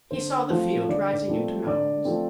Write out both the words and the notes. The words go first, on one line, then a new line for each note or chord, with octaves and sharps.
He saw the field rising into mounds.
D3 C5
F3 A3 C4 C5
D3 D5
F3 A3 C4
D3 D5
F3 A3 C4